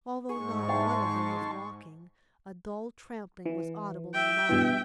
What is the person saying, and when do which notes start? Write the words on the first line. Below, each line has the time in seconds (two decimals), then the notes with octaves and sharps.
Although not one of them was walking, a dull trampling was audible in the mire.
0.29 G#2 G#4 C#6
0.69 E2 C3 F5 A5 C6
3.46 E3
4.14 E5 G5
4.49 G2 B2 E3